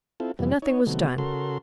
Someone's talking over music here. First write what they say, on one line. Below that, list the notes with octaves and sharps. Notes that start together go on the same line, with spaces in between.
So nothing was done.
C4 E4 F4 A4
F2 C3 E3 G3 B3
D#4 C#5
C3 D#3 F#3 A3 B3
C#3 F#4 A4 A#4 C6